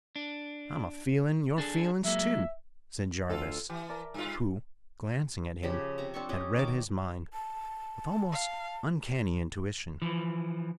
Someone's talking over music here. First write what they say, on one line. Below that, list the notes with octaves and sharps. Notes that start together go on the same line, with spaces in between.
"I'm feelin' your feelin's too," said Jarvis, who, glancing at him, had read his mind with almost uncanny intuition.
D4
D4 G#4 A4
F#3 G#3 A#3 E5
D2 F4 A4
E3 G4
A#4 D5 A5
G2 F4
C#3 F3 G4 B5
C3 A#5
C4 D4 A4 C#6
C#4 G4 D#5
D#3 A#4 D6
A5
F5
E3 F3